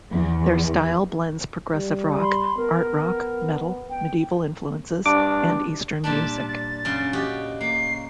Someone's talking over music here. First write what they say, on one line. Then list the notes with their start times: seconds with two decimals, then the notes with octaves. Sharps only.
Their style blends progressive rock, art rock, metal, medieval influences, and eastern music.
0.13 E2
1.72 G3
2.20 B5 C6
2.58 B3 A#4
3.90 G5
5.06 G2 D4 D6
6.04 A#2 G3 D4 A5
6.48 A6
6.85 F#2 C#3
7.13 F#4 G4 D#5
7.61 A#3 C7